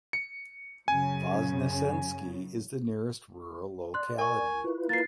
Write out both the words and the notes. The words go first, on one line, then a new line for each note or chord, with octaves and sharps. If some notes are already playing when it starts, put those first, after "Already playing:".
Voznesensky is the nearest rural locality.
C#7
F#2 C#3 G#5
D5 C6 F#6
A#4 G#5 C#6
E4 F4 B4
A#3 A6 C7